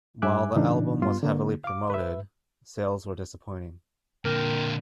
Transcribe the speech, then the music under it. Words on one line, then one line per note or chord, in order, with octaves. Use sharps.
While the album was heavily promoted, sales were disappointing.
G2 E5 G#5 D6 F#6
A2 C#3 E3 D4 D#4
G2 B3 F4 C6
D3 A#3
F5 D6
B4 E5
A#2 D3 A#4 G5